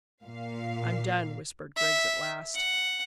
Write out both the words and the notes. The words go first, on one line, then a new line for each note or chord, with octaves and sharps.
"I'm done," whispered Griggs at last.
A#2 F5
E5
F#5